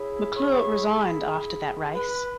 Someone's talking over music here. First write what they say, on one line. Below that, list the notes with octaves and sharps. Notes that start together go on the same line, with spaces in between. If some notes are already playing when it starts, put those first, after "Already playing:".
McClure resigned after that race.
Already playing: E4 G#4 C#5
C#5 C#6
B4 B5